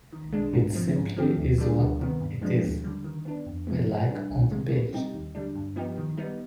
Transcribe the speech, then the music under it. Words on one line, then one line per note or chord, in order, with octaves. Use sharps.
It simply is what it is... a like on the page.
D#3
G#3 D4
G#2
F3 C4
G#2
F3 C4 G4
D2
D3 G3 D4 G#4
D2
C3 D#3 B3
G2
F3 G#3 B3 D4
D#2
D3 G3
D#3
B3 D4
F2
C3 F3 G#3 B3
G#2
G3 D4
C2
C3 D#3 G#3
B2
G3 C4 D#4 G4
D#2
D3 G3 D4
G2
F3 B3 D#4 G4
D#3
G3 B3 D#4